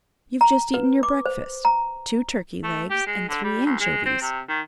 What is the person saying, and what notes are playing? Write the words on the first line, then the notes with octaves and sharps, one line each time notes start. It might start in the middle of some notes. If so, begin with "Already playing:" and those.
"You've just eaten your breakfast--two turkey eggs, and three anchovies."
A#5
B4
D6
C5
A#5
A3
G4
G#3
D3
G3
D2
G#3
C4
C3
D#3